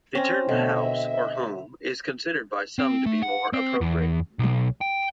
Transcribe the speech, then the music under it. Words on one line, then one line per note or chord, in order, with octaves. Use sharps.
The term "house" or "home" is considered by some to be more appropriate.
C4 C#4 A#6
B2 D3 A3 D#5
E5
C4
A3
F#5
C4
E2
B1
G5